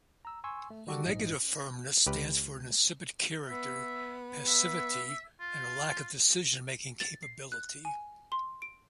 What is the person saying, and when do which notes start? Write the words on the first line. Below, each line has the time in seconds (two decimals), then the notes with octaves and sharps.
A negative Firmness stands for an insipid character, passivity and lack of decision-making capability.
0.25 A#5 E6
0.44 G#5 C6 C#6 E6
0.70 A3
0.87 D#3 G3 F#4 G4 A4
1.05 A#1 G#2 D#5
2.07 C#2 G4 B4
3.48 B3 E5
4.48 E5
5.40 F4
7.00 A6
7.23 C7
7.52 F#6
7.85 G#5
8.32 C6
8.62 D7